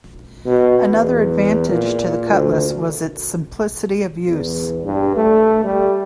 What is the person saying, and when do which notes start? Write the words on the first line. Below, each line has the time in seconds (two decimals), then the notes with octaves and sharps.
Another advantage to the cutlass was its simplicity of use.
0.45 B2
0.91 E2
1.69 A#2
2.30 D2
4.28 E2
4.84 G2
5.17 A3
5.64 G3